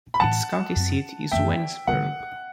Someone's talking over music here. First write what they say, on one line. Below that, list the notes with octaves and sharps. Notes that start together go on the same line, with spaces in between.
Its county seat is Waynesburg.
B5
A2 E3 G3 F#5 A5
F#2 F#3 A3 C4
F#2 E3 A3 C4 E5 G5
D3 G3 B3 F#5